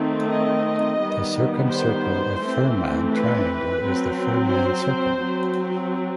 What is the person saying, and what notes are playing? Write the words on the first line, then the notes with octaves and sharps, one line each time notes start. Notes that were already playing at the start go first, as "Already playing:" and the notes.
The circumcircle of Fuhrmann triangle is the Fuhrmann circle.
Already playing: D#3 A3 C4
D#5
D#3 G3 B3
C5
E3 A3 C4
B4
F#3 C4
C5
F#3 C4